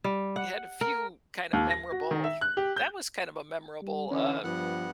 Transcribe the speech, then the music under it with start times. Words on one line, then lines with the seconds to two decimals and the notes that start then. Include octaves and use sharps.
had a few kinda memorable that was kind of a memorable, uh,
0.04 G3
0.36 F#5
0.81 A#4
1.53 D#2
1.71 A#6
1.92 F#4
2.11 D#3
2.24 E5
2.41 F#6
2.57 G4
2.76 G6
3.82 G3
4.11 D3 E3 C#4
4.44 G2 F3 B3 F#5